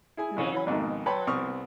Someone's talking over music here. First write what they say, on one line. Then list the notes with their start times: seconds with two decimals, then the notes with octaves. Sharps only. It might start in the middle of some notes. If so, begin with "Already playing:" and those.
male on
0.17 E4 G#4 G#5
0.36 F2 C#3 E3
0.52 E3 C#4 B5
0.67 F2 G#2 B2 D#3
1.06 B4 C#5 G5 A5 B5 C6
1.27 C2 B3 C4 C#6 D#6 F6